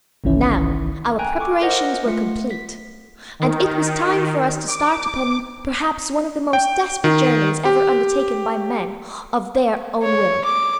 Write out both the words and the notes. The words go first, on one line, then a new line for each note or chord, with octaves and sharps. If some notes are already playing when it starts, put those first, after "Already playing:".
Now our preparations were complete, and it was time for us to start upon perhaps one of the most desperate journeys ever undertaken by men of their own will.
G1 C2 D#3 E3 C#4 E4
G5 G#5 A#5 F#6
A4 C#6 D6
A#4 C5 D#5 F#5
A3 F4 C#7
B6
D#3
D6
G5
D#3
G4
C#5
D6